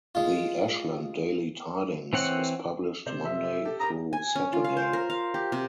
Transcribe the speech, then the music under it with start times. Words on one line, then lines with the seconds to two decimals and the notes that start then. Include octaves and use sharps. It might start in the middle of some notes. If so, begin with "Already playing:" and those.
The "Ashland Daily Tidings" is published Monday through Saturday.
0.15 G#3 F4
2.13 E3 C4 C#5 F#5
3.06 C3 C5
3.25 E5
3.65 G4 A4
3.80 G4 A#4 A#5 D#6
4.13 G#5
4.36 C#4
4.53 F4
4.64 F5
4.77 C5
4.93 A#4
5.10 F5
5.34 G4
5.52 C3